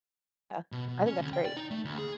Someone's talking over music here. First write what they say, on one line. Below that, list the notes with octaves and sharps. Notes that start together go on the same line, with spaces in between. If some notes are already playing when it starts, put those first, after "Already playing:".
Uh I think that's great.
B2
B2
C#4
D2
G5
D5
D#4
A3
D2
G#4